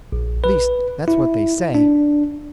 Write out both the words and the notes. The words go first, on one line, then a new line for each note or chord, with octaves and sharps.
At least that's what they say.
A#1
B4
E4
D4